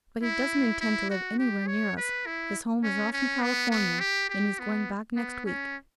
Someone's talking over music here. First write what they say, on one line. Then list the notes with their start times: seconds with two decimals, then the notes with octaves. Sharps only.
But he doesn't intend to live anywhere near us. His home is off in California, and he's going back next week.
0.23 E4
0.81 E4
1.10 F#4
1.38 G4
1.67 C#5
1.97 B4
2.26 E4
2.84 C#4
3.13 C#4
3.42 B3
3.71 B3
4.00 G4
4.30 G4
4.59 B3
5.16 B3
5.46 C#4